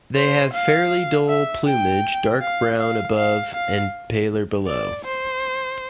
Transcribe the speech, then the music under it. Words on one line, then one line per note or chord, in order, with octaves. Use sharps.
They have fairly dull plumage, dark brown above and paler below.
C5
F5
E5
G5
F5
F5
F5
F5
D5
C5